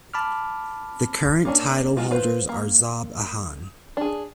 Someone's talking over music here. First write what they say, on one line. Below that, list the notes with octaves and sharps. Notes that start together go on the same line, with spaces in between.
The current title holders are Zob Ahan.
A5 B5 D6 F6
A#3 C#4 D4
G#3 D#4 F4 F#4
F4 B4 C5
A#3
D4 G#4